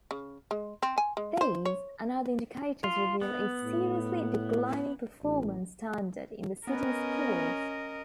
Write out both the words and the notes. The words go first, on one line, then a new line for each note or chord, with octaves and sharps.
These and other indicators reveal a seriously declining performance standard in the city's schools.
C#3
G#3
C4
G#5
G#3
C5
C#5
F4
B3
A2
A1
B3 C#4 A#4 D#5